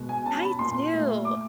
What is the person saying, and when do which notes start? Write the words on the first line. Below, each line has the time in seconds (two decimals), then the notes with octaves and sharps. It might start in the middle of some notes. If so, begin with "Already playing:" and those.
I do.
Already playing: B2 G#3
0.09 G#5
0.26 C#4 A5
0.42 B5
0.59 A#2 C6
0.92 A3
1.25 D6